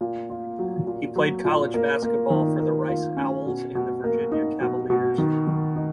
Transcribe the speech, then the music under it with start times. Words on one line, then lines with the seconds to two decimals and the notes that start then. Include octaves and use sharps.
He played college basketball for the Rice Owls and the Virginia Cavaliers.
0.01 A#2
0.30 F4
0.59 F#3
0.87 A#2
1.16 F#3
1.45 A#2
1.74 A#3
2.03 A#3
2.30 D#3
2.60 A#3
2.88 F4
3.17 C#4
3.46 B2
3.75 B2
4.04 A#3
4.32 D#4
4.61 B2
4.90 B2
5.18 D#3
5.47 D#3
5.76 D#4